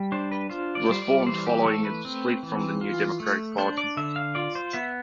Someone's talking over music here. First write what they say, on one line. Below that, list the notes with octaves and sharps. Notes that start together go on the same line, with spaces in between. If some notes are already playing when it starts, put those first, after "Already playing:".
It was formed following a split from the New Democratic Party.
Already playing: G3
D4 C5
B4
F4 C5
D5
G3 C5
D5
E3 C5
G4
A3 A4
B4
C4
E3
F4
A3
D4 C5
D5
D3 E5
F5
F4 D5
C5
B3 E5